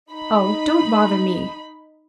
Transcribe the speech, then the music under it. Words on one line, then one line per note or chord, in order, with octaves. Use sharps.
'Oh, don't bother me.
D#4 B5